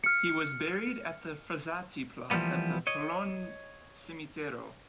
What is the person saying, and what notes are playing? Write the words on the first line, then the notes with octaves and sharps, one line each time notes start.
He was buried in the Frassati plot at the Pollone Cimitero.
F6 C#7
E3 F3 G3 A#3 B3
C#5 D#5